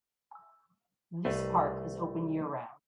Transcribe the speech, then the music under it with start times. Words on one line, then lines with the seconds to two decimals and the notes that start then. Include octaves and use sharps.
This park is open year round.
1.25 C2 A3 B4 D#5 F5 A5